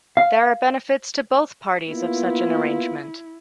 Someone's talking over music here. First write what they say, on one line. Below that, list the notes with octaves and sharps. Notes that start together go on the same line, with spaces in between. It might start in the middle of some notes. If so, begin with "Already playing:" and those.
There are benefits to both parties of such an arrangement.
F5
A#3 B3 E4 F4